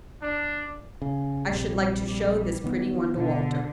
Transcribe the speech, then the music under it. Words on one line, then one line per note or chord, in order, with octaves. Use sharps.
I should like to show this pretty one to Walter.
D4
C#3
A#1 C3 G3
D#3 B3
B2 D3